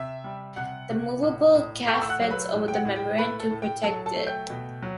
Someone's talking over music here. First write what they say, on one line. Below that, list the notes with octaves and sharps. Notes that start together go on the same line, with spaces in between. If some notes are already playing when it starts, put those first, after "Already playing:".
A movable cap fits over the membrane to protect it.
Already playing: C3 E5 E6
G3
C3 F#5 F#6
C3
A2
A2
A3 G5 G6
E6
F#5 F#6
F#3
B4 B5
A2
G5
F#5
A2
G5
A3 B4 B5
A4 A5
A2
G5
F#3 A4 A5
A4 A5
A3
G5 G6
B2
F#3